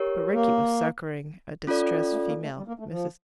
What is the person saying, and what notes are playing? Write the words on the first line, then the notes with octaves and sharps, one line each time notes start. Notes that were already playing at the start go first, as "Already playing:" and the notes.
But Rickie was succouring a distressed female--Mrs.
Already playing: G4 A#4 C#5
A#3
C#4 F4 A4 D5
A3
A#3
A3
G3
A#3
A3
F3